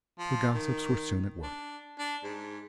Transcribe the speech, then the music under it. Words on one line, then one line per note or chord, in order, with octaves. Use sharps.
The gossips were soon at work.
F3
D#3
D4
D4
G#2